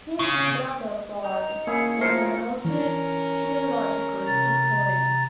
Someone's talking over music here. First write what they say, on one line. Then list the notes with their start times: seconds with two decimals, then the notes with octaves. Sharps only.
His brother, Paul, was a noted theological historian.
0.19 C#3
1.24 D#4 F7
1.67 C#3 A#3 E4 G#4 C#7
2.01 F4 A#4 C5
2.65 E3 C#4 A#4
4.26 C3 A#5 A6